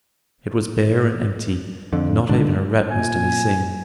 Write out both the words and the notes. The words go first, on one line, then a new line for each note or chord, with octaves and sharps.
It was bare and empty, and not even a rat was to be seen.
F2 D3
C#2 G#2 D3
A#2 G#5